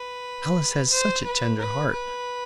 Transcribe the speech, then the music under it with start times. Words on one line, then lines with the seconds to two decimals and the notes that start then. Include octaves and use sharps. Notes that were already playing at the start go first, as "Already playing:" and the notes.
"Alice has such a tender heart."
Already playing: B4
0.90 C5
1.24 B4
1.58 B4
1.92 B4